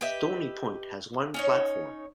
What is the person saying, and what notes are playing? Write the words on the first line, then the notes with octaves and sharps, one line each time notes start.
Stony Point has one platform.
G4 B4 D#5 E5
C#4 D#4 C#5